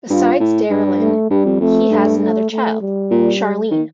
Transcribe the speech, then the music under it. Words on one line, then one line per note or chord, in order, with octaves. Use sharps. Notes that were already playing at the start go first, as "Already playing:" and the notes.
Besides Darylynn, he has another child, Charlene.
G2 F4
A2
G2
A3
G2 G3
F2
F2 A3
G2
A3
A3
G3
A#2
D#3